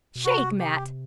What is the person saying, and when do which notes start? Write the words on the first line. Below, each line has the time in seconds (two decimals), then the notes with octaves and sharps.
Shake, Matt!
0.15 B2
0.24 C3 F#4
0.60 G4